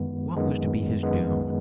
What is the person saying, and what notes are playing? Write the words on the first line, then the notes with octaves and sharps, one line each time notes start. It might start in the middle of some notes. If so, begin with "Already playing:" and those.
What was to be his doom?
Already playing: F#2 D#3 G#3 B3
F#2 D#3 G#3 B3
F#2 D#3 G#3 B3